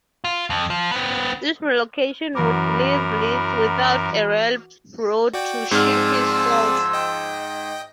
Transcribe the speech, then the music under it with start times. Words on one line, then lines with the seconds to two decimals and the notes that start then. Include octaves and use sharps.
This relocation would leave Leete without a railroad to ship his salt.
0.24 F4
0.50 F2
0.70 F3
0.91 B3 C4
2.35 F#2 E3 F#4 A#4 B5 D6
5.34 F#4 D5 G5
5.71 G#2 F3 C4 G#4 D5 C6 E6 F6
6.93 D#5 G5